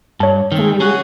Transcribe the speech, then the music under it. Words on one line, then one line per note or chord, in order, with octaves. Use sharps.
and I would
G2 C#5 A5
D#3 C4
C#4 F#4 G#4